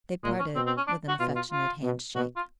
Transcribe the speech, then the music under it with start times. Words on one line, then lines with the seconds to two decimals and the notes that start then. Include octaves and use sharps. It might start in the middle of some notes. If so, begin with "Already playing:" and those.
They parted with an affectionate handshake.
0.24 A#2 G#3
0.39 C#4
0.55 B2 C4
0.66 C4
0.77 C#4
0.87 D4
1.08 F#4
1.20 B2 F4
1.36 F4
1.51 F4
1.83 B2
2.15 B2 F#4
2.36 F4